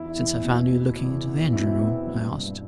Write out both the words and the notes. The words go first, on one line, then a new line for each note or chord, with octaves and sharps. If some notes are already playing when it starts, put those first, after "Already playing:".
"Since I found you looking into the engine-room?" I asked.
Already playing: E2 E4
E2
B2
B2
E2
E2
B2 E4
C4
B2 B3
C4
G2
G2